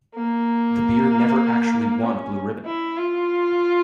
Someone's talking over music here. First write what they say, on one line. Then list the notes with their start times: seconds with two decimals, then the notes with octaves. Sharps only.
The beer never actually won a blue ribbon.
0.16 A#3
2.04 C#4
2.66 E4
2.97 F4